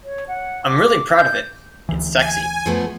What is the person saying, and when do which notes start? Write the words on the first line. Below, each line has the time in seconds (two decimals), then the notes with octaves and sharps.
I'm really proud of it... It's sexy.
0.05 C#5
0.28 F#5
0.65 D6
1.15 G6
1.89 D2 E3
2.21 G#5
2.66 F3 A3 B3